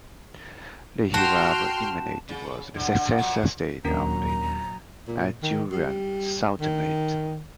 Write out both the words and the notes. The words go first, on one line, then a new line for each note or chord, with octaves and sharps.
The Hiraab Imamate was the successor state of the Ajuran Sultanate.
F#4 G5 A5 C6 F6 E7
C#3
D3
D3
A#2 F#3
D#2 A#2 F#3 C#4 D4 A#4 A#5
A#2
D#3
G3
D#3